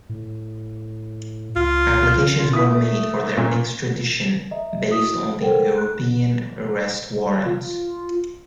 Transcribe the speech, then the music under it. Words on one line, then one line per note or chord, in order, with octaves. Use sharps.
Applications were made for their extradition based on the European Arrest Warrants.
A2
C#2 F4
F4
E4 D#6 B6
A3
A#2 C#4
D#5 E5 A#5
E4 F#4 D#6 B6
A4 A#4 C5 F#5 G5
F#6
F4